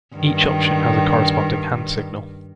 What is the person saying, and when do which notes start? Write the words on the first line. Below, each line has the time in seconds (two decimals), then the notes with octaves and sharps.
Each option has a corresponding hand signal.
0.16 G2 D#3